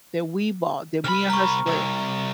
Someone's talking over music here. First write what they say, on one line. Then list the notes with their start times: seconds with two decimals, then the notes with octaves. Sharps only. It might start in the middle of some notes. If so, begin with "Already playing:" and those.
that we bought, that me and her split.
1.04 C2 B5 F6
1.30 A#5 C#6
1.66 C2